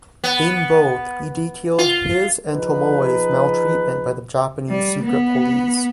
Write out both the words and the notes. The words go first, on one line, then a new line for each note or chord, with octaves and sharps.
In both, he detailed his and Tomoe's maltreatment by the Japanese secret police.
B3
F4
F3 D#4 G#4 B4
G3
B3